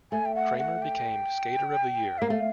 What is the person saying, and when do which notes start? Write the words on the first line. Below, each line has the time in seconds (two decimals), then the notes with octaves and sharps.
Kramer became Skater of the year.
0.12 A3 G#5
0.26 G5
0.35 F#5
0.59 F#5
0.82 G5
2.18 E5
2.22 A#3 F5
2.30 A3